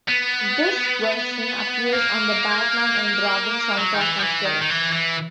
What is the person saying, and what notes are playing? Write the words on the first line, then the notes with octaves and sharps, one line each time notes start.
This version appears on the "Batman and Robin" soundtrack as well.
B3
A#3
F#3
D#3
E3
F3
E3
D#3
D#3
E3
E3